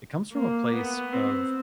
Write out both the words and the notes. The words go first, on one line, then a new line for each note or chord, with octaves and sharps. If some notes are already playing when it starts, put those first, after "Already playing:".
it comes from a place of
A#3
B3
C4